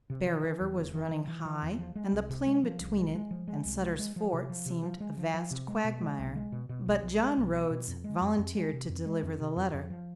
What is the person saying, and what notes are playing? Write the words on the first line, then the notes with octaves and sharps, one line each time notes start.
Bear River was running high, and the plain between it and Sutter's Fort seemed a vast quagmire, but John Rhodes volunteered to deliver the letter.
C3
E3
E3
E2
F1
E3
E3
E3
E3
E2
F3
G#3
C2
C3
G#3
F3
C2
G#3
G#3
F3
G#3
C2
G#3
G#3
F3
C3
F3
C3
F3
G#3
F3
F3
C3
G#3
B2
G#3
B1
G#3
B2
B2
B1
B1
G#3
B1
B2
B2
F2
G#3
F2
F2
G#3
C3
F2
G#3
F2
C3
F2
F2
F3